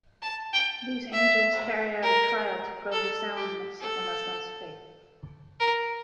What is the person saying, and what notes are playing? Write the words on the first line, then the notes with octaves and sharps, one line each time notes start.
These angels carry out a trial to probe the soundness of a Muslim's faith.
A5
G5
E5
A#4
A4
G4
A4
A#4